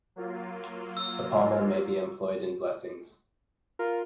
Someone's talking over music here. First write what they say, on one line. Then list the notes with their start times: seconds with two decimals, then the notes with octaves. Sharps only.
The pommel may be employed in blessings.
0.16 F#3 A#3 F4
0.97 E6
3.79 F4 A#4